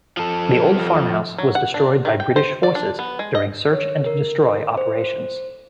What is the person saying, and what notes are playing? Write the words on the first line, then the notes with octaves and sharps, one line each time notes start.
The old farmhouse was destroyed by British Forces during search and destroy operations.
F3 A4
F#3
F#5
D4
D#3
G5
C5
D5
D4
B3
G#3
D#5
C#5
A#4
C5